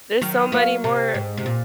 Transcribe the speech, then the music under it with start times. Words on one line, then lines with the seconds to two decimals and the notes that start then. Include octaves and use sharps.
there's so many more
0.21 D#3 F#3
0.52 F#3 A#3
0.84 C3
1.14 G#2
1.38 C3
1.46 A#2